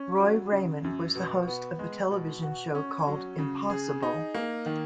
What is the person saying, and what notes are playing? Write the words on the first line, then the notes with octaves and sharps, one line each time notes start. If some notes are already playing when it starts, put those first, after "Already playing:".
Roy Raymond was the host of a television show called Impossible...
Already playing: C#4
F#3
C#3
F#2
B2
B3
G#3
B2
F#4
C#4
F#3
C#3
G#4
D#4
A#3
D#3